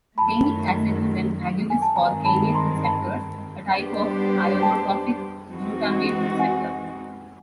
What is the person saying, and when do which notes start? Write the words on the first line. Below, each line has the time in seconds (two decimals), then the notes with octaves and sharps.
Kainic acid is an agonist for kainate receptors, a type of ionotropic glutamate receptor.
0.18 F#2 D#3 F#3 A3 A5 B5
1.70 G#5
1.82 A5
1.96 G2 D#3 G#3 C4 G#5 A#5
2.25 A5 B5
2.54 A#5 C6
2.84 A5 B5
3.73 G3 B3 D4 G4 C5
4.62 G5 A5
5.51 E3 G#3 C4 D#4 F#4
6.39 F#5 G#5